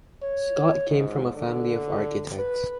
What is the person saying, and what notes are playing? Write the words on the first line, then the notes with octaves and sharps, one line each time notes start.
Scott came from a family of architects.
C#5
G#2
D3
B4